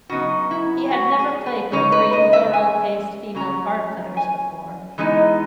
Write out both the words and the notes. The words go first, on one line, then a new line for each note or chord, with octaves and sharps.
He had never played with three thorough-paced female card-players before.
C#3 F#3 B3 D#4 F#4
E4
F#4
G#4
B4
C#3 G#3 D#4 C#5
B4
D#5
E5
G#5
C#3 F#3 C#4 A#5
G#5
E3 G#3 B3 D#4